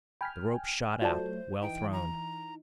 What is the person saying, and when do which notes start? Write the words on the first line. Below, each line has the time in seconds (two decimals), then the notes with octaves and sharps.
The rope shot out, well thrown.
0.21 G5 G#5 B5 F6 B6
1.02 F#3 A3 F4 C5 D5 A5
1.62 E3 D#4 G5
1.93 A#5